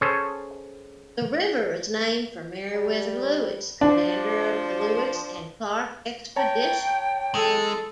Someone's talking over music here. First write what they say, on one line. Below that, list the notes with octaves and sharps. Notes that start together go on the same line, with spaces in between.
The river is named for Meriwether Lewis, commander of the Lewis and Clark Expedition.
C#4 G#4 A4 C5 C#5
G3
F3 D4
C#5 G5 A5 A#5
G#3 A4